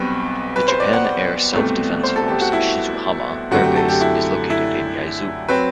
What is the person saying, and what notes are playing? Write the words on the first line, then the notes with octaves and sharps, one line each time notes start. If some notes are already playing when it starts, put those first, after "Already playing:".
The Japan Air Self-Defense Force Shizuhama Air Base is located in Yaizu.
Already playing: B1 B2 G3 C4 B4
B4
C5
D5
F#5
D5
C2 B2 A3 C4
C5
A4
G4
F#4
E4
F#2 D3 A3 C4 F#4
G4
A4
G4
E4
E4
F#3 C4 B4